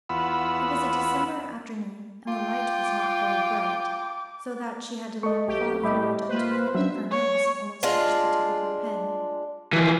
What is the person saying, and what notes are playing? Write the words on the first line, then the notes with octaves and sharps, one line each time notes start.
It was a December afternoon, and the light was not very bright, so that she had to lean far forward until the end of her nose almost touched the tip of her pen.
E2 B3 F4 F#5 B5 E6
F4 G5 D6
A3 D#5 C#6
B1 G4
A2 G3 G4 D#5 E5 B5
A#3 F4 B4 C5
F#3 C#4 D4 E5
C#5
G#3 D4 F4
E3 F3